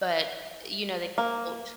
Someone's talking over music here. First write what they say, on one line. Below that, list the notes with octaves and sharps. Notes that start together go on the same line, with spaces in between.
but, you know, they mulch?
A#3